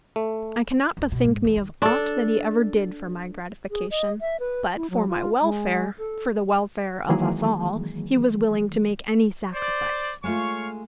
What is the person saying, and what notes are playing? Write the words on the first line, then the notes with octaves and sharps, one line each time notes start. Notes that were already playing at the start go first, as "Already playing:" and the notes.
I cannot bethink me of aught that he ever did for my gratification; but for my welfare,--for the welfare of us all,--he was willing to make any sacrifice.
A3
E2
B2
G#2
E2
D#3
D4 A4
G#4
D#5
E5
B4
E4
F#3
F4
G#3
A4
D#3 E3 F#3 G#3 A#3 G#4
C5 D5
G#3 A3 F4 C#5 F5 C#6